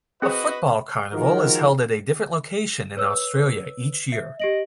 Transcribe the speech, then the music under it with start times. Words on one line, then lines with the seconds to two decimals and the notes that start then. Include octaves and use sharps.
A football carnival is held at a different location in Australia each year.
0.22 C4 F#4 G#4 B4 C5 D#5
1.13 D#3 F3 G#3 F4 F#4 A#4
2.97 B4 C#5 E6
4.12 E5
4.40 G4 D#5 D7 F#7